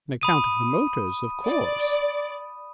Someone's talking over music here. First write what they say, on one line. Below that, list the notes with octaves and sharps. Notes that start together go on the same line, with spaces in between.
"On account of the motors, of course."
B5 D#6 D#7
D5